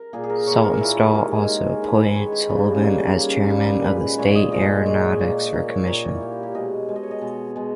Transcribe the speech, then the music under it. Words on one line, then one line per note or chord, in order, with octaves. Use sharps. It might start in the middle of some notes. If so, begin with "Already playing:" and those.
Saltonstall also appointed Sullivan as chairman of the state aeronautics commission.
Already playing: A#4
A#2 A#3 G#4
G#4
A#4
A#2 A#3 C#5
A#4
A#2 A#3 E4
E4
D#3 G#3 G4
G#4
D#3 G#3 A#4
D#3 G#3 B4
C#5
D#5
D#3 G#3 C#5
B4
C#3 G3 A#3 G#4
G4
D#4
C#4
C#3 G3 A#3 D#4
G#4
C#3 G3 A#3 A#4
C#3 G3 A#3
A#2 G#3 B4
A#2 G#3 C#5
D#5
A#2 G#3 D#5
A#2 G#3 C#5
A#2 A#3
A#2 A#3 D#5
C#5
A#2 A#3 A#4
E4
A#2 A#3 G4
G4
G4
B2 G#3 D#5
B2 G#3
D#5
C#5
D#5
B2 G#3
B2 G#3